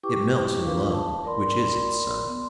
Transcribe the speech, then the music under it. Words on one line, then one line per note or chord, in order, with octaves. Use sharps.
It melts in love, which is its sun.
E4 G4 B4 G5 C#6 D6
D4 F4 A#4 B4 F5
A5
A#4 D5 B5 C6
B3 C6